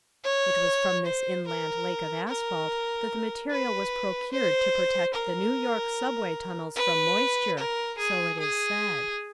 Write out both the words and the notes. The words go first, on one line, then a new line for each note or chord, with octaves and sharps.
It was from this inland lake of asphalt that the material was procured to protect the New York subway tunnels from moisture, so it is said.
C#5
C5
A#4
A#4
B4
C5
A#4
B4
A#4
G#4
G#4